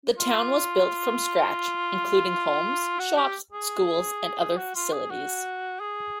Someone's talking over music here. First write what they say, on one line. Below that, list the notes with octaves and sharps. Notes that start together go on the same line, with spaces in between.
The town was built from scratch, including homes, shops, schools and other facilities.
F4
F#4
G4
G#4
G#4
F#4
F4
G#4
F#4
G#4